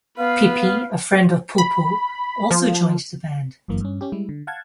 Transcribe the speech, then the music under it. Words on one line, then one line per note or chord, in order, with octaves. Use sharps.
Pipi, a friend of Pulpul, also joined the band.
B3 B4 F5
B5
F3
G1 F#2 E3 A#3
G2 C#4
C#4 G4
G3 G#3 E4
D3
F5 F#5 A5 G#6